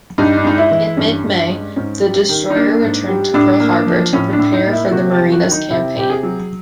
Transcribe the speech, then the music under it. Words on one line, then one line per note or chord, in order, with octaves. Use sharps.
In mid-May, the destroyer returned to Pearl Harbor to prepare for the Marianas campaign.
G2 D#4
D4
G#3 D#4
E4
E3
G2 C#4
G2
G#3
G#2 C#4
G3
D#3
D#4
A#3 D4
G#2
G3
A2 D4
A#3
F3
A2 C#4
D4
A2
D#4
A#3
E4
C3 F#4
G4
F#3
F#4
D#3
D#4
C3 E4
C3 G4
G#4
F#3